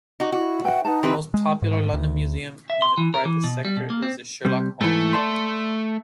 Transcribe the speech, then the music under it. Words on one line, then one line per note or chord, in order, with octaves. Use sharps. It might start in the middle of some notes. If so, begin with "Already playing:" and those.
The most popular London museum in the private sector is The Sherlock Holmes Museum.
D#4 F#4
E4 F#4
B4 E5 F#5 G5
D#4 B4 F#5 A5
E3 C4 G4 B4
G#3
G#2
D2
E5
C6
E3
A#4
E3
B2
G3
B2
A#3
C4
C3 G3
G#2 E3 A3
D5 A5 C6